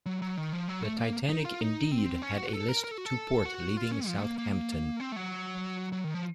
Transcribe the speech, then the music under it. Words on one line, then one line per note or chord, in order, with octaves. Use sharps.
The "Titanic" indeed had a list to port leaving Southampton.
F#3
F#3
D#3
F3
F#3
A3
A#3
D#4
F4
D#4
C4
C#4
F#4
F#4
A4
A#4
A#4
A4
F#4
A4
F#4
F4
C#4
F3
A3
A#3
A#3
C4
A3
F#3
F#3
D#3
F3